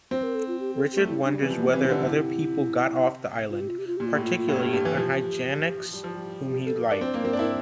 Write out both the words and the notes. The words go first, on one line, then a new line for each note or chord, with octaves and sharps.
Richard wonders whether other people got off the island, particularly Unhygienix, whom he liked.
C4 C5
A#4
A4
F4
G4
A4
G4
A3
G3 E4
D4
G3
E3 C4
F3
G3 A#3
E3 C4
C3
D3 D4
D4
C3 E4
F4
G4
F4
G4
F4
A#2 G4
F4
A2 G4
F4
F4
A2 G4
G2
G2
E3
F3
G3
F3
G3
G4
A4
D4 A#4
C4
C5
A#3
C4 A#4
D4
E4 A#4